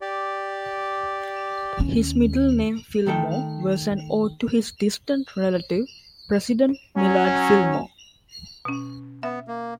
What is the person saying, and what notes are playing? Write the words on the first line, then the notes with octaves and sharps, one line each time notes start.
His middle name, Fillmore, was an ode to his distant relative, President Millard Fillmore.
G4 D5
D#2 C#4
D#3 A3 A4 G5
F#3 C#4
B2 C#4
B3 E5
A#3